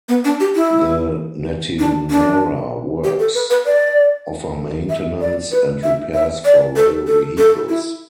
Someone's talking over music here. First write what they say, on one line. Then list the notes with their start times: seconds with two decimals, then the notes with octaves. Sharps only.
The Netinera Works offer maintenance and repairs for rail vehicles.
0.09 B3
0.25 D4
0.40 G4
0.56 E4
1.79 D4
2.11 D4
3.04 G4
3.19 A4
3.35 B4
3.50 B4
3.66 D5
4.90 E5
5.21 D5
5.52 B4
5.83 E5
6.14 E5
6.45 D5
6.76 A4
7.07 A4
7.38 A4
7.69 E4